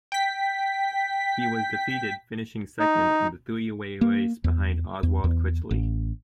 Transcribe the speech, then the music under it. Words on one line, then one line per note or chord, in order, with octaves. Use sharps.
He was defeated finishing second in the three way race behind Oswald Critchley.
G5 B6
D#4
A#3
E2
E2
E2
A1